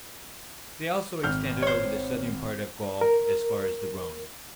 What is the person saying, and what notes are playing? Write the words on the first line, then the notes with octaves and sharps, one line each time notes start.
They also extended over the southern part of Gaul as far as the Rhone.
G#1 F6 G6
C5 C#5
A#4